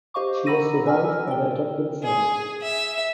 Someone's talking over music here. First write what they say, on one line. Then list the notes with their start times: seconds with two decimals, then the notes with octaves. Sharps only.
She was survived by their adopted son.
0.14 G4 C5 D#5 F5 C#6 D6
0.46 F#5 A#5 B5 E6 A#6 D#7
0.86 B4 G#5 E6 F6
1.27 D5 G5
2.03 G#4
2.61 E5